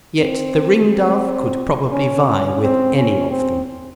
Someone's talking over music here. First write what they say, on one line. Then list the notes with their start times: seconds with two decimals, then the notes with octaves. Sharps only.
Yet the ringdove could probably vie with any of them.
0.18 C4
0.88 C4
1.91 C#4
2.27 C#4
2.61 C4
2.96 C#4
3.30 C4